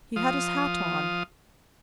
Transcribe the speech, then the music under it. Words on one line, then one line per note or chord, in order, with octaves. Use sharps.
He had his hat on.
F3 F5 D#6